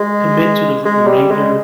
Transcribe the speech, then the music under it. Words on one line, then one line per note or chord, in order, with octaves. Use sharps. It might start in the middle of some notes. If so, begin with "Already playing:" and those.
commit to the re remainder
Already playing: G#3
G#3
G3
G#3